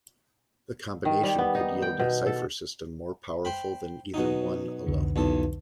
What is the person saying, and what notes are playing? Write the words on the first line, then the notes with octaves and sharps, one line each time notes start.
The combination could yield a cipher system more powerful than either one alone.
D#3
G3
B3
D#4
G5
B2
A4
C5 G5 B5
B2 F#3 D#4
C2 F2 D3
B1 E2 A4